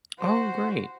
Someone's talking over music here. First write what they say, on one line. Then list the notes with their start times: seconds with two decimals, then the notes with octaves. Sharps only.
Oh, great.
0.20 F#4 C5